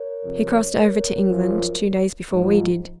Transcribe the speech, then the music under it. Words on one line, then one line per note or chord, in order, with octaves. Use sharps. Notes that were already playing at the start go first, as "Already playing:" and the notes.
He crossed over to England two days before we did.
Already playing: A#4 C#5
F2 C3 F3
A#4 C#5
F#2 F3
G#2 F3